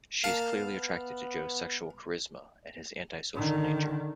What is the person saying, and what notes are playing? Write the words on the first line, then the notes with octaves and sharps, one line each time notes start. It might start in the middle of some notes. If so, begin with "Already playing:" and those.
She is clearly attracted to Joe's sexual charisma and his anti-social nature.
A#3 F5 A5
B3
D3 D#3